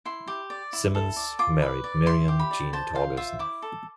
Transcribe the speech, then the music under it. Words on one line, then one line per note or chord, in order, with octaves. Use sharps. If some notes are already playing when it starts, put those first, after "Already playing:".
Simmons married Miriam Jean Torgerson.
E4 C6
G4
D5
E4
A4
D5
F4 D6
B4
D5
E4 C6
G4
B5
D5
C5 A5
C5 F5
F4 E5
E4 D6
A4